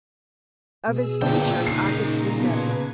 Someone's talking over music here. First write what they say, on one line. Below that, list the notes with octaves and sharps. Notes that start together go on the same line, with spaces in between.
Of his features I could see nothing.
B2 G#4 E6
G1 A#2 D4 G5
C#3 D#4 A#5 C7
B2 B4 G#6